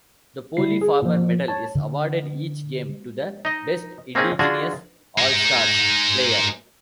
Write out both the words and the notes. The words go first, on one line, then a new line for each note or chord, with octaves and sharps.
The Polly Farmer Medal is awarded each game to the best Indigenous All-Stars player.
D3 G3 E4 C7
G#4
A#2 F3
C#5 A5
D3
D#4 D#5
A#3 C4 C#4 D#4 G#4
D3 D4 F4 F#4 G#4
G#3 D#4